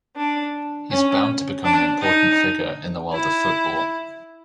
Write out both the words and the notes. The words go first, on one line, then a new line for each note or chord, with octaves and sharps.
He's bound to become an important figure in the world of football.
D4
C#4
D4
D#4
E4